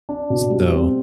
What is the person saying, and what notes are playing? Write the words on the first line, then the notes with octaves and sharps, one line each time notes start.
s so,
D4
B2
G3
C4